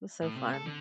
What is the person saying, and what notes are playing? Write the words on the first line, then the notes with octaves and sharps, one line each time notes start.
was so fun.
A2
C3
A4
D3